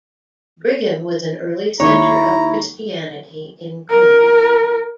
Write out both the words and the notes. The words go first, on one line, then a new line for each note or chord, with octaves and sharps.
Brigham was an early centre of Christianity in Cumbria.
D#2 E4 C#5 A#5
A#4